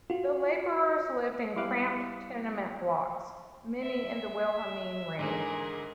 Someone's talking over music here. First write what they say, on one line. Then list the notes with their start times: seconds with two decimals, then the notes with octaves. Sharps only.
The labourers lived in cramped tenement blocks, many in the Wilhelmine Ring.
0.10 F4 F#4
1.57 G3 B3 E4 F5 D6 F#6
3.83 E5
5.19 G#2 D3 E3 G#4 A#4